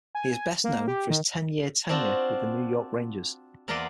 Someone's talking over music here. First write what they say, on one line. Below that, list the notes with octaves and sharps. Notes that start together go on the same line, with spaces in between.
He is best known for his ten-year tenure with the New York Rangers.
G#5
A#3
G4
D#3
C4 D4 F4 F#4
E2 A#3 B3 A#4 D5 C6